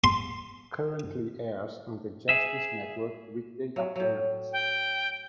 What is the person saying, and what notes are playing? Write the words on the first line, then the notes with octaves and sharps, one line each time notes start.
Currently airs on the Justice Network weekday afternoons.
C6
G#4 E5
F#3
A2 F#3
G5